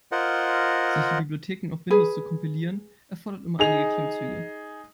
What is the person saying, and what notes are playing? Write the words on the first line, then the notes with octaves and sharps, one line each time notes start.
Solche Bibliotheken auf Windows zu kompilieren erfordert immer einige Klimmzüge.
F4 A#4 C5 D#5 F#5
G#4 B4
D#4 G#4 F7